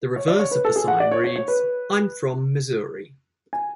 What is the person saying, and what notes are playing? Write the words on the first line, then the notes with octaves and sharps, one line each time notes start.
The reverse of the sign reads, I'm from Missouri.
C#5
D5
C#5
B4
A4
G#4
F#5
D5
C#5
C#5
C#5
B4
G#5